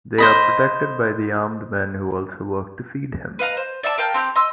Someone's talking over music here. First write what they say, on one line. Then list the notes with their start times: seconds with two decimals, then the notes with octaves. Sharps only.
They are protected by the armed men who also work to feed him.
0.18 C5 D#5 B5
3.39 B4 D#5 F5 A#5
3.57 C5
3.83 D5 E5 F5 A5
3.98 A#4 F5 G5 A5
4.14 C4 G4 G6
4.35 D#5 C6 E6